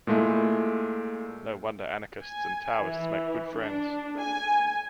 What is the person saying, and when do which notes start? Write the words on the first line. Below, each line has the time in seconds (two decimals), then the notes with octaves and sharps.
No wonder anarchists and Taoists make good friends.
0.07 A#2 G#3 A3 E4
2.23 G#5
2.81 E3
3.56 D4
4.18 G#5